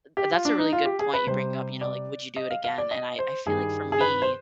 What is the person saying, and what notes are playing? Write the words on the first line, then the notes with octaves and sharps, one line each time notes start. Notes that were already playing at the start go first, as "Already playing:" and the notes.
Th That's a really good point you bring up, you know, like, "Would you do it again?" and I I feel like, for me,
G4
F4
D4
D#4
F4
G4
G#4
B4
C3 G3 C5
D5
D#5
F5
F5
D5
D#5
C5
G2 D#3 G3 G#4
G#4
B4
C5